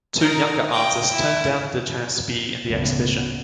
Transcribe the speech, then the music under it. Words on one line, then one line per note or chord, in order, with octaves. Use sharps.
Two younger artists turned down the chance to be in the exhibition.
D#4 A#4
D#5 G5
E4
F#1 D2 A2 B3